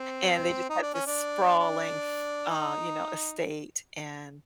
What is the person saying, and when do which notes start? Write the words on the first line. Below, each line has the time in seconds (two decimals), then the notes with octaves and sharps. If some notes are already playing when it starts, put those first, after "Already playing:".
and they just had this sprawling f uh, you know, estate, and,
Already playing: C4
0.70 D#4
0.82 D4
0.94 C#4
1.07 D4
1.59 D4
2.50 D#4